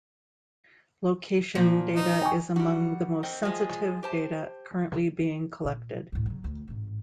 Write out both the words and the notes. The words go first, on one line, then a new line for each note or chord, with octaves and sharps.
Location data is among the most sensitive data currently being collected.
A#2 F3
D#4
G5 G#5 C#6
F3 G3 D#4 F#4
C4 D#5 G5
F3 G#3
G4 C5 A5
A#2
D2 A2
C#3 F#3
D2
A1 G#2